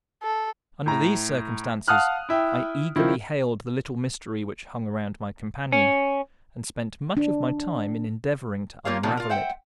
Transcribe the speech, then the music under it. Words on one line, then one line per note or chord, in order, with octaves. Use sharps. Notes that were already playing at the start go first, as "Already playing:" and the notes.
Under these circumstances, I eagerly hailed the little mystery which hung around my companion, and spent much of my time in endeavouring to unravel it.
A4
A2 A#5
F5 F#5 A5 D#6 F6 F#6
E4 E5 G5
D#3 F3 E4
C#4
D4
A#3 F4 G4 A#4 C#5 F5
C3 D#3 F3 G3 A#3 B3
F4 A#4
C5 E5 F#5 G5